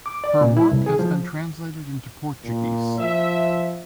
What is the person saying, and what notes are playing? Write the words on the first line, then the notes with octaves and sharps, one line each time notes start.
Her work has been translated into Portuguese.
D6
D5
A#2
E4
C2
G#4
F3
A#2
F3 E5